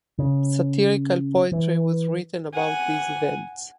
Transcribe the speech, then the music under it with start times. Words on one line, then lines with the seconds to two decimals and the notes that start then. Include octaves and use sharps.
Satirical poetry was written about these events.
0.19 C#3
1.52 E3
2.54 F#5 G#5